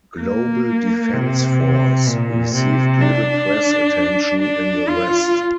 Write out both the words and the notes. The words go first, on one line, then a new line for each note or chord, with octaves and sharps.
"Global Defence Force" received little press attention in the West.
A#3
C3
A#2
C3
D4
D4
F4